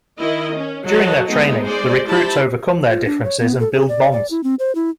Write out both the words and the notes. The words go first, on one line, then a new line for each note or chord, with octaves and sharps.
During their training, the recruits overcome their differences and build bonds.
D#3 E4 D#5
C#4
F#3 F#4 A4 C#5 D#5 A5
G#3 A3 B3 D#4
G#3 C5 D5
E4 G4 C5 A5 B5
F4
D4
C#5
B3
A4
G#4
D5
D5
E4
C4
C5
E4